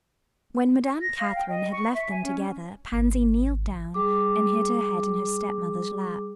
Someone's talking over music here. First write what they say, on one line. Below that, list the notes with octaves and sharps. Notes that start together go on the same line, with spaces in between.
When Madame Catherine had left them together Pansy kneeled down and hid her head in her stepmother's lap.
A#6
F5
G5
D#5
C#6
E5
G#5
C#4
G#1
G3 G#4 D6